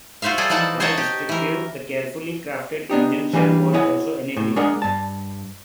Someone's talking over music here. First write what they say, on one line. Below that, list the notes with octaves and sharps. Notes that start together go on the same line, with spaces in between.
While restrictive, the carefully crafted injunction was also enabling.
F4 F#4 C5 E5 F5
G3 G#4 A4 D5 D#5
E3 F3 D#4 D5 F#5 A5
C5 C#5 D#5 F#5 A5 A#5
G4
E3 A#4
B3 D4 D#4 G4
E3 G3 A#3 D4 B4
E4 G#4 C#5 D#5 F#5
A2
G#3 D4 A#4 D#5 F#5
G2 A5